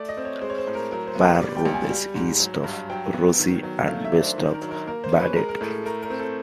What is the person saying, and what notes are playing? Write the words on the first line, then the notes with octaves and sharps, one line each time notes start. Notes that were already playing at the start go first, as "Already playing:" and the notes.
Warroad is east of Roseau and west of Baudette.
Already playing: A3 D5
D#5
C4
C#5
G#3 C5
C#5
C5
A2
A#4
F#3 A#4
C5
B3
C#5
G3 D5
G5
C#2
G#5
G3
G#2
F#3
G2
F#3 G5
B3
D#3
F#3
A3 F5
E5
D4
C5
D#3
A#4
F#3
A#4
A#3 A#4
C5
C#4
B4
G#3 A#4
A#4
A2 A4
A3 A#4
A#4
C4
A4